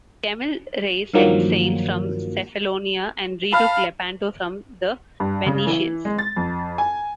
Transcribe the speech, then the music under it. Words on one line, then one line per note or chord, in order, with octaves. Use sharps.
Kemal Reis set sail from Cefalonia and retook Lepanto from the Venetians.
G2 D#3 F3 F#3 A#3
F5 A5 B5 F6
G2
C#3
E3
G#3
A6
F2
G#5